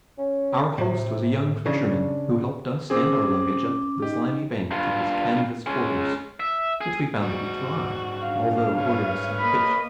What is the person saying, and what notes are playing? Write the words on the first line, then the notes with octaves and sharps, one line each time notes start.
Our host was a young fisherman, who helped us and our luggage up the slimy bank to his canvas quarters, which we found to be dry, although odorous of fish.
C#4
A2 C3
C#3 D4
C4 C#4 G#4 D6
D#4 G4 D#5
G2 F4
G#3 C#4
E5
G#4
G#2 G3 F#4
D4 F5
B4 C#5 F6
A#3 D#5 B5